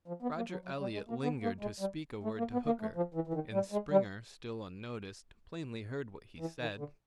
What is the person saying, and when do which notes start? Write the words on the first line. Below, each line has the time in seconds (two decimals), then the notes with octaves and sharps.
Roger Eliot lingered to speak a word to Hooker, and Springer, still unnoticed, plainly heard what he said.
0.08 F3
0.22 B3
0.37 A#3
0.51 F#3
0.65 F#3
0.80 G3
0.93 G#3
1.09 A#3
1.23 B3
1.43 A#3
1.61 G#3
1.80 G3
2.23 A3
2.38 A#3
2.53 B3
2.66 A#3
2.81 A3
2.96 F3
3.14 E3
3.27 E3
3.34 D#3
3.53 G3
3.72 G#3
3.91 G3
6.40 E3
6.60 D#3
6.78 D3